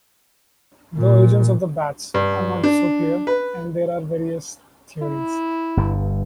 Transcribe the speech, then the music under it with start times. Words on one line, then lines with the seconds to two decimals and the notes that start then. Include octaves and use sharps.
The origins of the Bats are not so clear, and there are various theories.
0.98 A#2
2.14 G2
2.63 D4
3.27 B4
5.02 E4
5.77 G1 G2